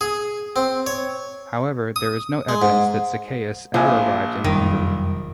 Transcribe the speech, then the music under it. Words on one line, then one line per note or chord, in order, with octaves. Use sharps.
However, there is no evidence that Zacheus ever arrived in Hungary.
G#4
C4
C#5
D#6
G#3
G#2
A#1 F3 E5 G#5
F1 F#2 D#3 G3